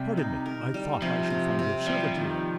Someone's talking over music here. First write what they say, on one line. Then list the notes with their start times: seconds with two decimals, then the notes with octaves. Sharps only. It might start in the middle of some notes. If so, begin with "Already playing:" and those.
"Pardon me; I thought I should find your servant here."
Already playing: C3 G3 G4
0.17 D#4
0.46 A#4
0.74 G3
1.02 C3 F3
1.30 C3
1.59 C3
1.87 F3 G3
2.16 D#3